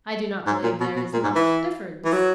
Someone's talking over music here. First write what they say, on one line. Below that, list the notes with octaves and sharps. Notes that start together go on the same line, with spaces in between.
"I do not believe there is much difference."
G#2
A#2
B2
B2
A#2
G#2
E3
E3
F#3